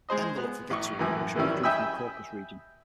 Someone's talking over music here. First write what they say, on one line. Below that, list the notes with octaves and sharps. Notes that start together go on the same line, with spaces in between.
Enver looked for victory when Russia withdrew from the Caucasus region.
G#3 G#4 C5 D#5
B3
A1 C#6
F#2 A2 E3 G#5
F#2 D#3 E3 G3 C#4 E4
D#5 E5 G5 G#5 B5 E6